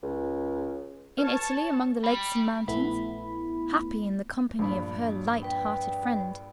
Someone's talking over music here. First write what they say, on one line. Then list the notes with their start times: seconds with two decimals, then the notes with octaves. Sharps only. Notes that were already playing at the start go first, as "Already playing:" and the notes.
In Italy, among the lake s and mountains, happy in the company of her light-hearted friend.
0.03 C#2
1.18 B4 C#5 A5
2.04 G3
2.68 A#1 A3 B3 E4 B5
4.59 A#1 G2 B5
5.43 B4 G5